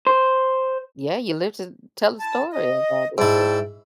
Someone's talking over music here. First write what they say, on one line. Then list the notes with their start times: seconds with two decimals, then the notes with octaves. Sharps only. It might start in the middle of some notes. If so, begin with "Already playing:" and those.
yeah. You live to tell a story about it, so
0.07 C5
2.20 E4 A5
2.53 D#5
3.18 G#2 E4 D5 G5 A5